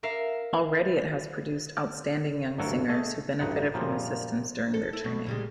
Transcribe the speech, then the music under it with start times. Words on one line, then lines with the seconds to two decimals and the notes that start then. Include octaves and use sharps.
Already it has produced outstanding young singers who benefited from assistance during their training.
0.03 A#4 E5 F5
2.58 A1 D2 G2 F#3 A4 A#4
2.89 A3 G#4 D#5
3.40 A1 D2 G2 D#4 F#5
3.74 F#2 A#2 F3 G3
4.74 A4
4.93 E4
5.04 B2
5.26 A#2 G3 G#3